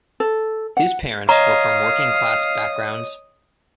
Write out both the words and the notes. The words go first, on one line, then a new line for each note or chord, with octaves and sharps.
His parents were from working class backgrounds.
A4
F#5
C#5 D#5 F5 A#5 D#6